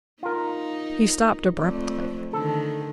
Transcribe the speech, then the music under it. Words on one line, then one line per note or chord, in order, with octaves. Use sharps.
He stopped abruptly.
D#4 F4 A#4
F2 A3 D5
D3 D#3 A4